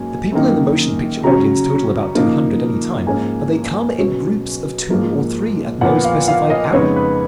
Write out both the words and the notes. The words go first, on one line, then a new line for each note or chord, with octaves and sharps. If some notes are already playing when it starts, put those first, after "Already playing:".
The people in the motion picture audience total about two hundred, any time, but they come in groups of two or three at no specified hour.
Already playing: G#2 F#3 A#3 C#4 G#5
F#2 D#3 A#3 D#4
C#3 F#3 C#4 A#5
C#3 F3 A#3 D#4
G#2 F3 A#3 C#4 G#5
B2 F#3 C#4
G#2 F3 A#3
A#2 F3 B3 F#5
F5
F5
D#5
F2 C#3 G#3 B3 D#4 C#5
B4